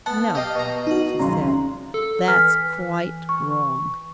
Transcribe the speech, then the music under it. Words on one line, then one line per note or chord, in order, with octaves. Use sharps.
"No," she said, "that's quite wrong."
B3 F#5 A5
G4 D#5 F5
B2 A#5
D#4 F#4
G#1 C#2 F#2 A#5 C6
A4
E3 F6 B6
C#6